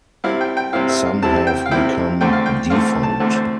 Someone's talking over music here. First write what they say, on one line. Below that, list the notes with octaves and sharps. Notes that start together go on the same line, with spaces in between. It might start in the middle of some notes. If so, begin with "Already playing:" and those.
Some have become defunct.
C3 G3 C4 E4 F5
G5
G5
C3 G3 C4 E4 F5
E5
F5
C3 G3 C4 E4 A5
G5
F5
C3 G3 C4 E4 G5
E2 D3 A3 C4 G5
F5
G5
E2 D3 A3 C4 F5
A5
E2 D3 A3 C4
C5